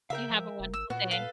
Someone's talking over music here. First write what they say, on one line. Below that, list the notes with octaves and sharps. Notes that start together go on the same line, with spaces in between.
You have a wonderful day.
C#3 A#4 E5 F5 G5
F3
F1
G#1 E6
A#2 B3 F#4
A4 B4 F5